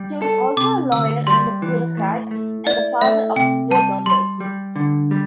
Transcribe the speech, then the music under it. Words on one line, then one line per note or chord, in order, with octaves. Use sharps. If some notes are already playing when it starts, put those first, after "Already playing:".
He was also a lawyer and a bureaucrat and the father of four daughters.
Already playing: G3
A4
C3 D6
D2 E6
G3 C6
E3
A2
A3
E4 D5
A3 E5
C3 G5
G3 A5
G3 C6
G3
D3
G3